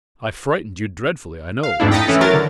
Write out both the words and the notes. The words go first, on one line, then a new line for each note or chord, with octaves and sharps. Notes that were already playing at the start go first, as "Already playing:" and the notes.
"I frightened you dreadfully, I know," he said.
F5
F2 G#2 F3 A3 D4 E4
G5 A#5 D#6 A6 B6 C#7
E3 A3 C#4
F#3 A#4 A6
D3